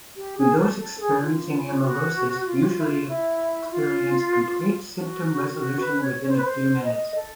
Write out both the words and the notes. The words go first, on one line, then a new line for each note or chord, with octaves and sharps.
Those experiencing amaurosis usually experience complete symptom resolution within a few minutes.
G4
G#4
A4
A4
G#4
F4
F#4
F4
G4
F4
E4
F4
E4
F4
F#4
F#4
B4
C#5
C#5
C5
B4
C5
D#5
A4